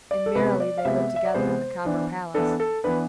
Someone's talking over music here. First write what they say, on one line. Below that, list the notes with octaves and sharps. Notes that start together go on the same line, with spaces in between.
And merrily they lived together in the copper palace.
D5
A4
C3 G#3 B3 B4
D5
F5
C3 G#3 B3 E5
E5
D5
C3 G#3 B3 C5
E3 B3 D4
E3 B3 D4 A4
A4
E3 B3 D4 B4